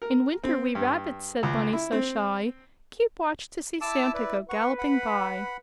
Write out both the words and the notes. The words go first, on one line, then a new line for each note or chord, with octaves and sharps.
"In winter we rabbits," said Bunny so shy, "Keep watch to see Santa go galloping by."
A#4
C4
G2
C#2
E4
C4
E4 A5 D6 E6
B4 D5
B4 F#5 C#6
F#5 B5